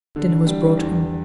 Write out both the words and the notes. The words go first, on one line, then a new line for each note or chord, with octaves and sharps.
Dinner was brought him.
D3
G3
E2